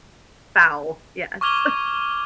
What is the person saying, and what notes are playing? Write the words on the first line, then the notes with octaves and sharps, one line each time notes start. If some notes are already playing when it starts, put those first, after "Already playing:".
Foul, yes.
C#6 D6 F6 G#6 F7 G7